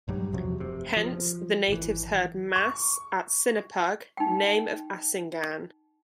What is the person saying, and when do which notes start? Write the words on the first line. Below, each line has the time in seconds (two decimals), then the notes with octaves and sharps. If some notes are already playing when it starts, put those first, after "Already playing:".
Hence, the natives heard Mass at Sinapug, name of Asingan.
0.08 A#1 G2 F#3 G3
0.33 E2 C3 F3 F#3
0.58 F1 C3
0.97 F3
1.68 G#1 E3
2.56 C#6
4.17 D#4 G5